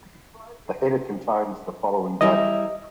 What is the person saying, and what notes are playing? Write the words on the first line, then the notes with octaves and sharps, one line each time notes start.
The header contains the following data.
G3 E4 D#5 A#5